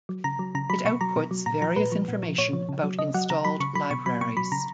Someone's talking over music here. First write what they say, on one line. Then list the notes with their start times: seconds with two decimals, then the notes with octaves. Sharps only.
It outputs various information about installed libraries.
0.09 F#3
0.24 C#3 A#5
0.39 F#3
0.55 C#3 A#5
0.70 F#3 B5
0.85 B2 C#6
1.01 F#3 A#5
1.16 B2
1.31 F#3
1.46 A#2 A#5
1.62 F3 A#5
1.76 A#2 B4
1.92 F3
2.08 A#2
2.23 F3
2.38 A#2 C#5
2.53 F3
2.69 C#3
2.83 F#3
2.99 C#3 D#5
3.14 F#3 F#5
3.30 C#3 A#5
3.45 F#3 B5
3.60 C#3 C#6
3.75 F#3 B5
3.90 B2 C#6
4.06 F#3 B5
4.21 B2 C#6
4.37 F#3 B5
4.52 C#3 A#5